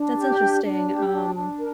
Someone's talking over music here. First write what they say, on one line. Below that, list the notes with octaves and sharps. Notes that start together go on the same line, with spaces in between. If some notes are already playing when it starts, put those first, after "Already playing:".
That's interesting, um,
Already playing: D4
G4
D4
D4
G4
D4
D4
A#4